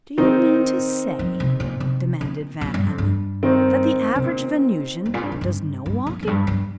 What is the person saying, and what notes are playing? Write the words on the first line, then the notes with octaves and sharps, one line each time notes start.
"Do you mean to say," demanded Van Emmon, "that the average Venusian does no walking?"
A#2 D#3 C4 D#4
F3
C3
A#2
C3
A#2
A#2
G2
F2
G2
D#3 C4 D#4
C3
A#2
G2
A#2
G2
A#2
G2
G2
A#2
F2
G2
G2